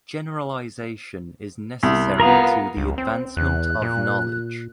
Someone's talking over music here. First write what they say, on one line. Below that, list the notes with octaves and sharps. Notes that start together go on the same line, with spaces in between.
Generalization is necessary to the advancement of knowledge.
C2
B3 F4 A#4 A#5 D#6
C#2
C4
E2 F#6
A#2